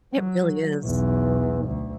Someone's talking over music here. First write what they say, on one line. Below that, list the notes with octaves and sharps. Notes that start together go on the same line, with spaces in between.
It really is.
F#3
B1 E2
D2